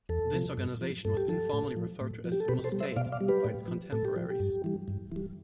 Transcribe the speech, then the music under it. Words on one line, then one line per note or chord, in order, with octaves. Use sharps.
This organization was informally referred to as "Musteite" by its contemporaries.
E2 A4
C3 F3
G2
F3
G2 A4
G4
F3 A4
A2
F3
A2
F3
G4
A4
B2 G4 B4
A4 C5
G3
C5 E5
B2 D5 F5
D5 F5
G3
G4 B4
A2
F3
A2 A4
G4
F3
G4
G2
E3 G3
G2
E3 G3